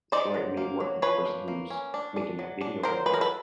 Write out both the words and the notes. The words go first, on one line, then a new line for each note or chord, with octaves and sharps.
sure, it may work for the person who's making that video, but, like,
D#4 C5 D5
F#3
A#3
F#3
F3 B4 C#5
A#3
A#3
C#4
D4
D4
F#3
D4
F#3 A#4 C5
F#3 B4
A#4
A4 B4